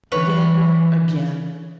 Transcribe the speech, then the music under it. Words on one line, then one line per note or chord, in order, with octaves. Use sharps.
Again! again!
E3 B4 C#5